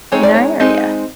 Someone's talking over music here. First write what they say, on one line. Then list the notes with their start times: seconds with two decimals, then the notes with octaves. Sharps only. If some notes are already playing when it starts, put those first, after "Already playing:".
in our area?
0.12 G#3 C4 D#4 C#5
0.23 D5
0.34 C#5
0.60 G#3 C4 D#4